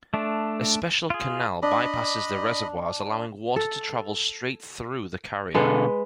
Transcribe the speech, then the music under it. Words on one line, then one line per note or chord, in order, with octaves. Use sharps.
A special canal bypasses the reservoirs allowing water to travel straight through the carrier.
A3 D4
F4 G#4
D4 D#5 B5
A4
B2 D3 G#3 A4 B4